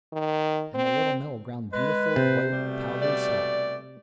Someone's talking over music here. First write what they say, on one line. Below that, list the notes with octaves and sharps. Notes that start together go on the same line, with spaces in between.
And the Little Mill ground beautiful, white, powdery salt.
D#3
C4
G#3 B4
C3 C5
B2 G3 A3
D5